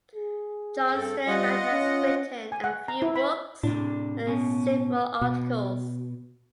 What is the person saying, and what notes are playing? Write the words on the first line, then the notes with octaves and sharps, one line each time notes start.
John Sterman has written a few books and several articles.
G#4
G2 C4 A4
G3 F4 D#5 F#5
C#4
G#5
F#5
A#5
E4
B5
A2 C3 D4
B2 C#4
B2